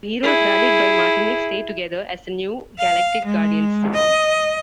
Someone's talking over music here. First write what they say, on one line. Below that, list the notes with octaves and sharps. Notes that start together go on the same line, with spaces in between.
The heroes, rallied by Martinex, stay together as the new Galactic Guardians.
E4 G#4
F5
G#3
D#5